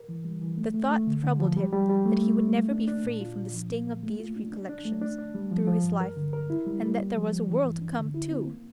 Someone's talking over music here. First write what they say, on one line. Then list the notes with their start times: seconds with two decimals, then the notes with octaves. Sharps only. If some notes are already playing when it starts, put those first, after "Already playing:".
The thought troubled him that he would never be free from the sting of these recollections through his life, and that there was a world to come, too!
Already playing: A#4
0.09 E3
0.24 G3
0.41 E3
0.58 A3
0.74 A3
0.91 A3
1.07 D3
1.24 D3
1.40 F3
1.57 G3
1.72 G3
1.89 G3
2.06 A3
2.22 A3
2.39 A3
2.55 A#3
2.71 D4
2.88 D4
3.04 A#2
3.21 F4
3.37 A#2
3.53 F3
3.70 A#3
3.87 A#3
4.03 A3
4.19 F4
4.36 D4
4.52 D4
4.69 D4
4.85 A3
5.02 D4
5.18 D4
5.34 G3
5.51 F3
5.67 F3
5.84 G2
6.00 A#4
6.17 D3
6.33 A#4
6.50 E4
6.66 G3
6.83 G3
6.99 A#3
7.16 F3
7.32 F3
7.48 E3
7.65 G2
7.82 D4
7.98 D3
8.14 E4
8.31 C4
8.47 A#3